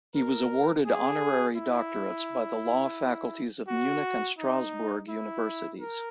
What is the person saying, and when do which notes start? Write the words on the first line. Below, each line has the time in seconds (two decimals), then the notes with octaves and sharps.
He was awarded honorary doctorates by the law faculties of Munich and Strasbourg Universities.
0.15 A#4
0.86 G#4
1.56 E4
3.68 F#4
4.38 D#4
5.09 E4
5.80 A#4